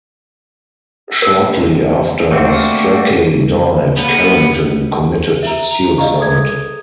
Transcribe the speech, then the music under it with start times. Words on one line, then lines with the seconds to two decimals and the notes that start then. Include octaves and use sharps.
Shortly after Strachey died, Carrington committed suicide.
1.22 A#4
2.31 A3 A#3 C4 D4 F#4
3.98 A#3 B3
5.43 E5 A#5
5.71 A#5 F7
5.98 D5 D#5 F5 A#5 C#6
6.19 G#4 A4 D#6 G#6